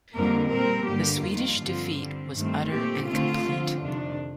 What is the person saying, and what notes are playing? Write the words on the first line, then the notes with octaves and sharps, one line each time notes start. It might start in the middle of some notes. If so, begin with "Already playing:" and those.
The Swedish defeat was utter and complete.
F2 D3 G3 A#3 A#4
A#2 G3 C4 A#4
G2 D3 G3 A#3 G4
F2 D#3 G3 F4
G2 D3 F3 C4
D3 G3 C4
G2 D#3 A3 C4
A#2 A3 C4 G4
D3 A3 C4 F4
D3 F3 C4
F2 C3 D#3 D4